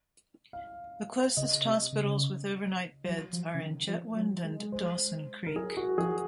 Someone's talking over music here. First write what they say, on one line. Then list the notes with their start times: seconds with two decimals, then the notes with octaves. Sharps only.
The closest hospitals with over-night beds are in Chetwynd and Dawson Creek.
0.53 F5
1.37 C#3 D#5
1.65 C3
1.93 C#3
3.04 F#3
3.33 F3
3.55 C#3
3.61 D#3
3.88 F3
4.17 F#3
4.44 G#3
4.72 C5
5.46 A#4
5.56 F#3 G#4
5.77 F#4
5.98 F3 G#4